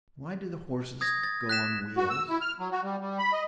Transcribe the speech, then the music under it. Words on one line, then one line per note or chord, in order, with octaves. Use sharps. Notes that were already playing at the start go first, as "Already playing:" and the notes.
"Why do the horses go on wheels?"
D#6 G#6 A#6
A6
F#6 B6 E7
F#4
E6
E4
F6
F#3
F#4
G3
G3
B5
D#5